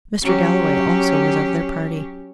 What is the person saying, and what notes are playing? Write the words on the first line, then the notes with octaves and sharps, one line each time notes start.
Mr. Galloway also was of their party.
F#3 C#4 G4